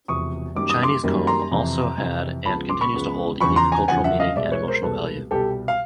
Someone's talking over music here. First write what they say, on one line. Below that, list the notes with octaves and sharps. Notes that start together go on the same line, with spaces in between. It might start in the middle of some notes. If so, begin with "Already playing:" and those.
Chinese comb also had and continues to hold unique cultural meaning and emotional value.
E1 E2 C3 F3 C#6 D#6
F#2 D#3 G3 A#3 D6
D#6
C6 D6
F#2 D#3 G3 A#3
A#5 C6
F2 C3 E3
F2 C3 E3
C#2 C#3 F3 G#3 B3 A5 B5
C6 D6
B5 C#6
C#2 C#3 F3 G#3 B3
E2 C#3 F3 B5 C#6
A#5 C6
G#5 A#5
E2 C#3 F3 F#5 G#5
E5 F#5
D#5 F5
C2 B2 G#3 D5 E5
B4 C#5
A#4 C5
C2 B2 G#3 A4 B4
C2 B2 G3 G4 A4
F5